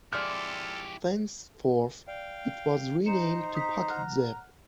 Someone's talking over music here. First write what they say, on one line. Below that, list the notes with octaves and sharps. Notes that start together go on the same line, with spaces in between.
Thenceforth, it was renamed to PocketZip.
F2 G#3 E4 G4 A4 D5 F6
D5 F5 G5
D#4 C5 A#5 C#7 E7
D#6 B6
F#5 F6 F#6